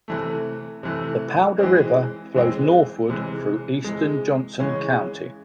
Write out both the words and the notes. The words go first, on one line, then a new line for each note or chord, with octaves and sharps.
The Powder River flows northward through eastern Johnson County.
C3 E3 A3
C3 E3 A3
E3 G#3 C4
E3 G#3 C4
C3 E3 G#3
C3 E3 G#3
C#3 E3 G#3 C#4